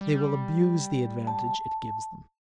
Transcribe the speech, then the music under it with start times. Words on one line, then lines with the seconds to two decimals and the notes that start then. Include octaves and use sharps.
They will abuse the advantage it gives them.
0.01 G3
1.27 A5